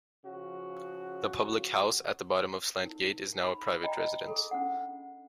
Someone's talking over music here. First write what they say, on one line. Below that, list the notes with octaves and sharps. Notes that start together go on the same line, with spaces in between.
The public house, at the bottom of Slant Gate, is now a private residence.
C#3 F3 F#4
D#4 A#4
B5
D#5 G5 A#5 B5
G#4 A4
C#4 D4 F#5